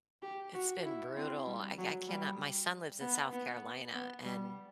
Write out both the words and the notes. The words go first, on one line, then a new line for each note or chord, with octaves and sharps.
It's been brutal. I ca I cannot My son lives in South Carolina, and
G4
F#4
E4
C4
G3
F#3
G3
B3
B3
B3
G3